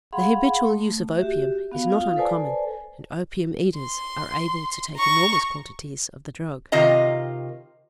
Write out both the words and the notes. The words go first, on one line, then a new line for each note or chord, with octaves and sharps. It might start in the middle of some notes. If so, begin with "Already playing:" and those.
The habitual use of opium is not uncommon, and opium-eaters are able to take enormous quantities of the drug.
G#4 F5 F#5 B5 C6
A3
F#4 G4 E5
B3 F#4 F5
F4 F5 D#6
A4 B4 C5 D5 G#5 A5
C6
A#5 C#6
C3 D#3 F4 D#5 A#5